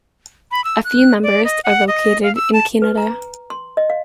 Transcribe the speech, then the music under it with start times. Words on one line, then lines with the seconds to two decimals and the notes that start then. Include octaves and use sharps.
A few members are located in Canada.
0.51 B5
0.64 E6
0.84 F#6
1.23 D5
1.45 D#5
1.64 F#5
1.88 D#5
2.23 F5
2.35 E6
2.53 A5
2.82 B4
2.97 A#5
3.50 C6
3.77 D#5
3.90 F5